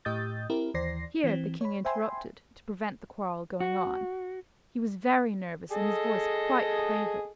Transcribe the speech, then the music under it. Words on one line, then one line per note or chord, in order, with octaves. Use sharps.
Here the King interrupted, to prevent the quarrel going on: he was very nervous, and his voice quite quivered.
A2 G4 D#5 D#6 G6 A6
C4 E4 G4 A#4
D#2 E3 C5 D5 A#6 C7
E3 C4
C#5 B5
C5 E5 G5 G#5 B5 C6
F#4
G#4 A4 D#5